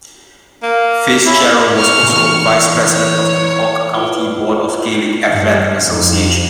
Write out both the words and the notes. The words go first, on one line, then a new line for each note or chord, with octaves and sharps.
Fitzgerald was also Vice-President of the Cork County Board of the Gaelic Athletic Association.
A#3
C#4 E4
C#6 F6
E3
C#5
E4 F4 B4 D5 G5
G2
F2